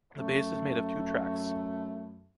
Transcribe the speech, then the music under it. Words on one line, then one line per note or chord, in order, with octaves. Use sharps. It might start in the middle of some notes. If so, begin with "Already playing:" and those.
The base is made of two tracks.
F#2 A3